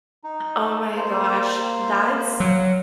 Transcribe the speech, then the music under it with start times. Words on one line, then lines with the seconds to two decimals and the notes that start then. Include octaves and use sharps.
Oh my gosh, that's
0.24 D#4
0.96 A#3 C5
2.40 F#3 F5 F#5